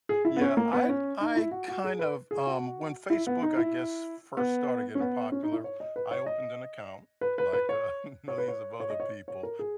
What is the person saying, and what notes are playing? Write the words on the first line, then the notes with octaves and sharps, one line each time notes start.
Yeah, I I kind of um, when Facebook, I guess, first started getting popular, I opened an account, like, uh, millions of other people,
G#4
E4
B3
C#4
A#3
B3
C#4
D#4
E4
F#4
F#4
G#4
B4
G#4
F#4
E4
B3
D#4
E4
B3
C#4
B3
C#4
D#4
E4
C#5
D#5
B4
C#5
D#5
B4
B4
B4
C#5
C#5
B4
C#5
C#5
D#5
C#5
C#5
A#4
G#4